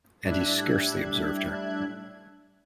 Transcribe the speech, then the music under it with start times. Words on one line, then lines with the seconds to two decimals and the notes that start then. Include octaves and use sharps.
And he scarcely observed her.
0.23 A2 G3 D4 E5 F#6 G#6